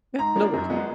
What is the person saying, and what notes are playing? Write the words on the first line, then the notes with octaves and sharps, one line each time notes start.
Yeah, no worries.
G#2 A#5
F3 A#3 D4
F#2
F3 G#3 B3